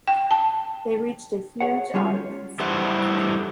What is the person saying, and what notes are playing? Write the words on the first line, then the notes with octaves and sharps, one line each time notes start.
They reached a huge audience.
G5
A5
G#4 C#5 F#5
G3 G#3 C#4 F4 G4
E3 G3 A3 E4 C5 F#5